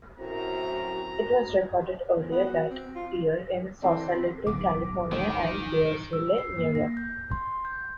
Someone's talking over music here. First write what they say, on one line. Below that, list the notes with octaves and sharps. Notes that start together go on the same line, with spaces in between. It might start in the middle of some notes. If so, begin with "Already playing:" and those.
It was recorded earlier that year in Sausalito, California, and Bearsville, New York.
F#2 A2 C4 F#4 A#5
E2
B3
F#4
C4
F4
E3 C4 A4 D5
D1 B1 D3 D6
D2 D#3
E6
C7
A#3
A#6
G6
C6
G6